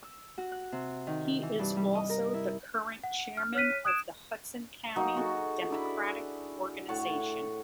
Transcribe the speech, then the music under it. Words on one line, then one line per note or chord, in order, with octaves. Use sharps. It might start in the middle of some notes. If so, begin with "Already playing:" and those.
He is also the current Chairman of the Hudson County Democratic Organization.
E6
F#4
F#6
C3
D#3
E3
G2
G3
D#5
A#4
E4
F#5
F6
C#5 F6 F#6 B6 D#7
D#6 F#6 G#6 D7 E7
F#3 A#3 D#4
F#4 G#4 A4
D4 E4 B5
A2 C#5 F#5 A5